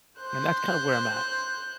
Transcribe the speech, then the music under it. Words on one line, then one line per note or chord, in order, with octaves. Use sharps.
and that's kind of where I'm at.
C5 F#6 G6